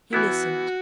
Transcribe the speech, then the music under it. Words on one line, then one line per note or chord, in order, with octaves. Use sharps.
He listened.
E3 B3 E4 F#4